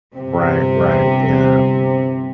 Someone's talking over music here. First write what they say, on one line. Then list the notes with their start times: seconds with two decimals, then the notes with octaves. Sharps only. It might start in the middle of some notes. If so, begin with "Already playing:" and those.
Right. Right. Yeah.
0.15 G1 C3